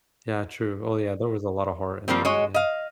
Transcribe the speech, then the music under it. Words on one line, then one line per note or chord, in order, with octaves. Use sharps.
Yeah, true, oh, yeah, there was a lotta heart in that, yeah.
F3 G3 A#3 C4
G#3 F#4 C#5 D#5
D#5 F5